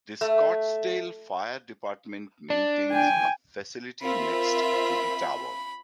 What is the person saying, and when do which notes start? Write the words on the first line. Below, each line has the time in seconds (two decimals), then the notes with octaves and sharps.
The Scottsdale Fire Department maintains a facility next to the tower.
0.21 A3
2.50 D4
2.92 G5 G#5
4.03 C4 F4 A#4 E5 B5